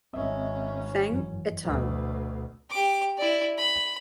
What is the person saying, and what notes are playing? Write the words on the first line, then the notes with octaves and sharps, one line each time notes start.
Feng "et al".
G#1 C4 C#4 D#5 E5
F#2 E3
D2 B2
G4 D6
E4 D5
B5